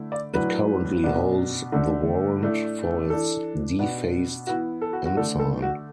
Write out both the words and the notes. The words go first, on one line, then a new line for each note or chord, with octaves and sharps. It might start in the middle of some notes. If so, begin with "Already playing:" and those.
It currently holds the warrant for its defaced ensign.
Already playing: D3 A3 E4
D5
A2 F#3 D4 B4
B2 B3 D4
D3 A3 D4
A2 A3 D4
E3 D4 A4
B2 B3 D4
E3 B3 E4 F#4
A4
F#4
F#4
D3 A3 D4 A4
A4
F#4